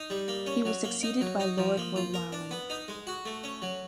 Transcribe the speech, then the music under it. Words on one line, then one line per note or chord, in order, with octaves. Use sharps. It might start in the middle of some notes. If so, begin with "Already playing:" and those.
He was succeeded by Lord Rowallan.
Already playing: D#4
G3
A#3
C#4
F#3
A#3
D#4
F#3
D#4
F3
A#3
F4
A#4
D4
B3
D#4
G#3
F#4
A3
C#4
F#3